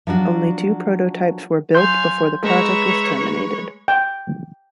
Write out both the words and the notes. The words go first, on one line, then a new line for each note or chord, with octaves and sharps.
Only two prototypes were built before the project was terminated.
F3 F#3 D4 F#4
F#3 F5 G#5 C6 G6
G#3 B4 C#5 E5 A#5 C#6
G5